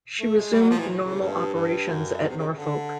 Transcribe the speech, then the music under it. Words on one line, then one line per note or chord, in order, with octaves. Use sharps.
She resumed normal operations at Norfolk.
A3
G#3
G3
F#3
F3
E3
C#3
G2
G2
F#2
G2
C3
C#3
D3